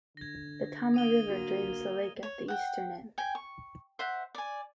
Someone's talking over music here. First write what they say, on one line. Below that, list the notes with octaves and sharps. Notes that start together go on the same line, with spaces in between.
The Tama River drains the lake at the eastern end.
D3 G#6 A#6
D#6 D#7 G7
A#3 F#4
C#5
F#5 G5
G5 G#5
C#6
C5 E5 F#5
D5 G#5